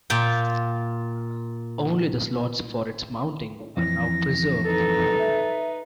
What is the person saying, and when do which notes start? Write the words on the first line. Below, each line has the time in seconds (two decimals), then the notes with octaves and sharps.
Only the slots for its mounting are now preserved.
0.10 A#2 F4 G5
3.77 F2 E3 A#6
4.65 D#4 A4 B4
5.18 E5